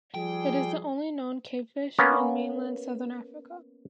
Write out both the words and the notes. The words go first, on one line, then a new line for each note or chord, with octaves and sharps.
It is the only known cavefish in mainland Southern Africa.
F3 G3 G#4 G5
A#3 B3 C#4 A#5